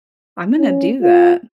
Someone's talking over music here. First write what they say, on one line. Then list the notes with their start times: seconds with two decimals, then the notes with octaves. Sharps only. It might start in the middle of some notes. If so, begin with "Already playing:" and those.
I'm gonna do that.
0.58 C#4
1.02 F4